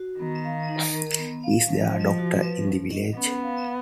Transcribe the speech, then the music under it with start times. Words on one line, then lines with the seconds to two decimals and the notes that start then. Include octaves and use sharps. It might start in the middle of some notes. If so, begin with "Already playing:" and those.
Is there a doctor in the village?
Already playing: F#4
0.19 D#3 B3
0.45 F5
0.69 D#4
0.93 A#4
1.19 B3
1.44 F5
1.68 F3 C#4
1.93 D#5
2.19 F#4
2.43 B4
2.67 C#4
2.92 D#5
3.17 B3 C#4
3.43 F5